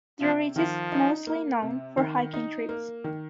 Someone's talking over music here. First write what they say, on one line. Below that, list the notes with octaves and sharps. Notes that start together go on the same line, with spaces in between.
The ridge is mostly known for hiking trips.
C3 F3
D#3 F3
D#4
A#3
C3
D#3
D#4
A#3
D#3